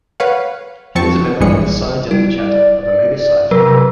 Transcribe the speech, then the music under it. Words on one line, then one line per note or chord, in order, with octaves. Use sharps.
He is a member of the Psi Delta Chapter of Omega Psi Phi.
B4 C#5 F5 F#5
F2 C4 A5 C#6
A#1 G2 E3 G#3 G#4 C#7
G3 E4
D5
C3 F#3 A#4 B4